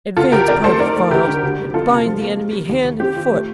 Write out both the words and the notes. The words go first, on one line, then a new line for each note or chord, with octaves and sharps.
"Advance, Private Files, and bind the enemy hand and foot!"
D2 F4 A4
D2 G4 A#4
F2 A#4 D5
A3 A4 C5
D#4 A#4 D5
A3
D2 G4 A#4
D3
D2
G3
F2 F4 A4
C3
F3
A#3
G3
G3
D#2
D#2
C4 G4
F4
A3